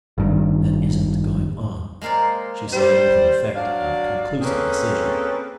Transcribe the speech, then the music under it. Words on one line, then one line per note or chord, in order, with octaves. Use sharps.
"That isn't going on," she said with an effect of conclusive decision.
G#1 G2 D#3
G#3 A#3 A#4 C5 D5
G3 C5
F#3 D4 D5 F5
A#3 C4 C#4 G#4 A4 B4